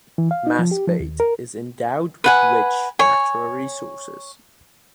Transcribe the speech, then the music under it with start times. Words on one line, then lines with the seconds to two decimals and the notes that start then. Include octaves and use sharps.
Masbate is endowed with rich natural resources.
0.18 E3
0.31 F5
0.47 D#4
0.59 F3
0.71 G4
0.87 F3
1.00 D#2
1.20 A#4
2.24 B4 F#5 G#5
2.99 C#5 G#5